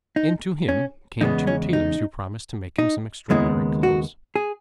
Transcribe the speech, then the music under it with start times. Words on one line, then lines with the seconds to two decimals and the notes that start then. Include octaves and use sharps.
And to him came two tailors, who promised to make him some extraordinary clothes.
0.16 D#4
0.69 C#4
1.21 E2 C#3 G#3 B3 D#4
1.47 C#4
1.73 D#4
2.78 D#4
3.30 D#2 C#3 G#3 B3 E4
3.83 F#4
4.36 G#4